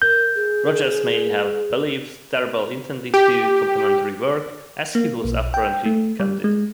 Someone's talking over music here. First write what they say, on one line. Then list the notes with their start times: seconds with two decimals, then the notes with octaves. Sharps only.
Rogers may have believed Tarbell intended a complimentary work, as he was apparently candid.
0.02 A#4 G6
0.35 G#4
3.14 G4
4.95 A#3
5.24 B1
5.54 G5
5.86 A3
6.20 G3
6.44 G#3